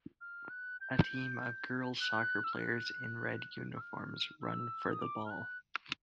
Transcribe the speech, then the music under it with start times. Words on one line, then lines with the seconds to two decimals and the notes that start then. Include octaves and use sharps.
A team of girl 's soccer players in red uniforms run for the ball.
0.21 F6
0.50 F#6
0.81 G6
2.00 F#6
2.44 E6
2.53 F6
2.60 F#6
3.75 E6
3.81 F6
4.41 E6
4.91 D#6
5.01 D6
5.26 F6
5.31 F#6